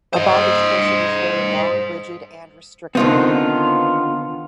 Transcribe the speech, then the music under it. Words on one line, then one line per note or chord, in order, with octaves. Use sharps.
A bondage corset is very long, rigid, and restricting.
C5 D#5
D3 D#3 B3 C4 F4